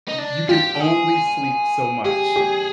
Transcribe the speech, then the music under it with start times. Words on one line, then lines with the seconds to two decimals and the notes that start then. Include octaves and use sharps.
Y you can only sleep so much,
0.08 D#4
0.18 D4
0.49 F4 G4
0.75 G4
0.80 G#4
2.04 G4 G#4
2.36 G4